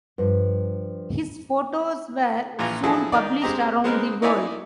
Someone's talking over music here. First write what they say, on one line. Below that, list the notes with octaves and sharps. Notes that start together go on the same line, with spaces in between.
His photos were soon published around the world.
G2 F3
A#1 A#2 E3 F4 A#5
F3 F#3 E4 G#4 A4
D#3 D#4 D5
G#3 C4 G4 D#5 A#5
G#3 B3 C4 D#4 A#4
D#4 E4 C#5 D5 E5 G#5